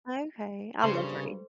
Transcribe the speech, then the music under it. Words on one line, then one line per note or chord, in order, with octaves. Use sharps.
Okay. I love to read.
G2 C#3 A4 C5 C6